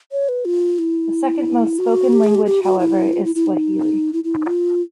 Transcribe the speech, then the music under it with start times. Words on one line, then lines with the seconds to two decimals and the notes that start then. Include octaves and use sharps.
The second most-spoken language however is Swahili.
0.12 C#5
0.29 B4
0.45 F4
0.79 E4
1.79 F#4
2.13 G4
2.24 G#4
2.35 G4
2.46 G4
2.63 F#4
2.79 E4
3.13 F4
3.24 E4
3.35 E4
3.46 D#4
4.13 E4
4.24 E4
4.35 D#4
4.47 F4